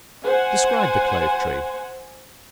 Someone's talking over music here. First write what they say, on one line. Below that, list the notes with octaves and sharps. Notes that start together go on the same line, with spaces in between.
Describe the Clove Tree.
C5 F#5 G#5